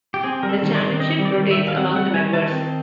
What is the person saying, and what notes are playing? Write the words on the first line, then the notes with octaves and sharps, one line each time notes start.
The chairmanship rotates among the members.
G4
C4 G#4
G3 A#4
A4
D#3
D5
D#3
C4 D#5
G3
D5
D#3
E5
D#3
F5
C4 F#5
G3 F#5
D#3 G#5
D#3 A5
C4